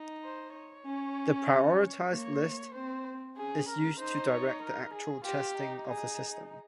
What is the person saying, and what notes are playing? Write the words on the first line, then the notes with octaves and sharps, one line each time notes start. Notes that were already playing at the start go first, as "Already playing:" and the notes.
The prioritized list is used to direct the actual testing of the system.
Already playing: D#4
C5
C#5
C#4
A#3 C#5
C4 C5
C#4 G#4
A#4
D#4 C5
C#5
A#4
G#4
F4 G4
D#4
D#4 G#4